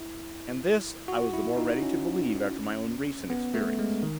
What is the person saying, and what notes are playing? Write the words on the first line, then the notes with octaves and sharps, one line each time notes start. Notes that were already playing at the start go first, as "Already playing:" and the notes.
And this, I was the more ready to believe after my own recent experience.
Already playing: E4
F#4
E4
D#4
C#4
B3
A3
G#3
D#3